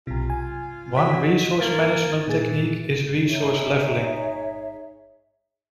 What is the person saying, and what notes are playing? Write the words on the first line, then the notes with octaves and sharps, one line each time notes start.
One resource management technique is resource leveling.
B1 C3 F4
G#5
F#3 D#5 B6
A#3 G#6 A6
A#2 E3 G#4 A6
D#4 G#4 C#5 E5